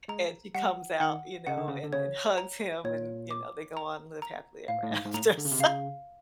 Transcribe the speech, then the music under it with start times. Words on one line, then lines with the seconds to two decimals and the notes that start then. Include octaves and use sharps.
and she comes out, you know, and and hugs him and, you know, they go on live happily ever after, so,
0.08 G#3 A#5
0.54 G3 F#5
1.00 D#3 F#5
1.47 C#3 F#5
1.58 D3
1.68 C#3
1.84 D3
1.92 C#3 C#5
2.38 A#5
2.84 A#2 C#5
3.31 D6
3.77 A#5
4.22 A#5
4.68 A2 F5
4.83 A2
4.91 G#2
5.05 G#2
5.13 A2 A#5
5.38 D3
5.45 C#3
5.51 C3
5.59 C#3 F5